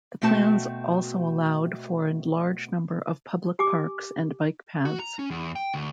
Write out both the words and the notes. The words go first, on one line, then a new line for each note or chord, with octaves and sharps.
The plans also allowed for a large number of public parks and bike paths.
B2 A3 C4 F#4 A5
G4 G#5 D6
F#4
A#5
C#4
E2
G5
D2